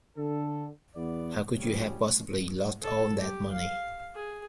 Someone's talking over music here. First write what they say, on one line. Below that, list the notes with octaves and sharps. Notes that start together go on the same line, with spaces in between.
How could you have possibly lost all that money?
D3 A4
E2 B3 D5
A1 D2 F3 G3 C#4 G#4
A4
G4
F5
G#4